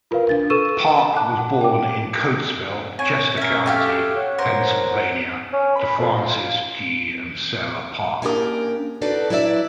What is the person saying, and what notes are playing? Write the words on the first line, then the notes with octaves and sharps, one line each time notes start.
Parke was born in Coatesville, Chester County, Pennsylvania, to Francis G. and Sarah Parke.
F4 A#4 B4 F5
D4 A6
A4 B4 C#6 E6 D#7 E7
A5 D6 F#6
F#5
G5 D6
C4 C#5 G#5
C#4 A#4 E5
A3 G4 F5
C#5 F#5
A#4 C5
C#4
B5
F2
F4
A#3 C#4 D4 G4 A#4
D4 D#4 F#4 A4 B4 D5
F#3 E4 B4 D5 E5